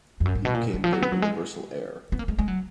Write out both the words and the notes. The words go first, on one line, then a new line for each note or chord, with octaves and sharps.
He became their universal heir.
F2
F#2
G#2
B2
A#2
D3
F3
F#3
B3
F#3
G#3
B3
A#3
G#3
G#3
F#3